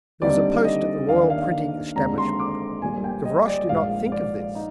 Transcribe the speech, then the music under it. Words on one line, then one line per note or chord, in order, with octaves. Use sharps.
There was a post at the Royal Printing Establishment. Gavroche did not think of this.
D#2 D3 G3 C4 D#4 D5
D#5
D#2 D#3 A#3 D4 F5
F5
D#2 D3 G#3 C4 A#5
C6
D6
A#1 A#2 G3 A#3 G#5
G5
D#5
D5
A#1 G#2 F3 A#3 F5
D5
D#4